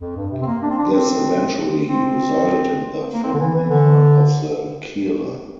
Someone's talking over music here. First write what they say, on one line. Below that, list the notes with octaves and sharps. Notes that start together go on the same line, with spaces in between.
This eventually resulted in the phenomena of the "kira".
F2
G2
C3
C4
A#3
D4
C4
D4
C4
C4
A#3
C4
D3
E3
E3
D3